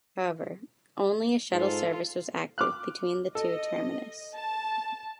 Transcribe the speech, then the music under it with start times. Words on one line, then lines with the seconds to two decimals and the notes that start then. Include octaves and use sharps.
However, only a shuttle service was active between the two terminus.
1.52 G#2 F4 A4
2.58 D6 F6 F#6
3.35 A4 D#5
4.34 A5